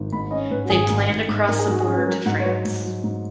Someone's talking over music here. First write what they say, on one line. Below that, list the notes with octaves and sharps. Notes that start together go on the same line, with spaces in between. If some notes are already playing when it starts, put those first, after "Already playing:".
They plan to cross the border to France.
Already playing: G#1
G#2 B5
C#4 D#5
G#2 B4
F#4
G#1 G#4
G#2
G#2
G#2
G#2 A#4
G#4
G#2 F#4
G#4
C#4
B4
F#3 A#4
G#2 F#5
C#5
F#3 B4
G#2
F#3
G#2